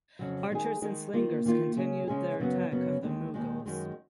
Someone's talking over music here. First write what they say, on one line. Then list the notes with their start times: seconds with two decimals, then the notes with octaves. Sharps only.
Archers and slingers continued their attack on the Mughals.
0.19 F2 C#3 F#3
0.51 D#3 G#3 D#4 G#4
0.82 D#3 G#3 D#4 G#4
1.13 D#3 A#3 F4
1.45 D#3 A#3 F4
1.77 C#3 G#3 C#4 G#4
2.07 C#3 G#3 C#4 G#4
2.39 F#2 C#3 F#3 B3
2.71 F#2 C#3 F#3 B3
3.03 D#2 D#3 G#3
3.34 D#2 D#3 G#3
3.66 F#2 D#3 G#3